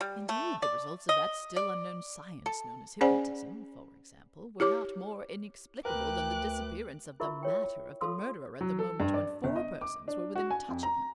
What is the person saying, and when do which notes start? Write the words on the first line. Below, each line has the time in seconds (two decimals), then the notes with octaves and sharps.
Indeed, the results of that still unknown science known as hypnotism, for example, were not more inexplicable than the disappearance of the "matter" of the murderer at the moment when four persons were within touch of him.
0.01 G3
0.29 A3
0.62 D5
1.09 D#5
1.56 D5
2.46 A4
3.01 C#4 G#4 C5 D5 F#5 G#5
4.60 E4 G4 C#5 D6
5.85 D2 A#4 B4 G5 D6 F#6
7.20 E4 F4 A#4 E5 B5 C#6
7.43 A#4 C#5 G5
8.01 F4 A4 F5 C6 D#6 E6
8.61 F#3
8.79 A4
9.00 G2
9.14 D5
9.44 G1
9.56 D#5
9.81 D6
10.08 D4
10.36 F#4
10.51 G#5
10.69 F2
10.83 A#5